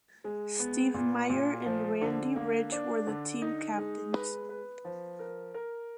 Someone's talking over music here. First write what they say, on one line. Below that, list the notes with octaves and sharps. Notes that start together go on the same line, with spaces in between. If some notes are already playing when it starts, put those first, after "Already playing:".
Steve Myer and Randy Rich were the team captains.
G#3
B3
A#2
A#2
F3
D3
A#3
D4
D3
D#4
G#3
B4
B4
F3
A#4
A#4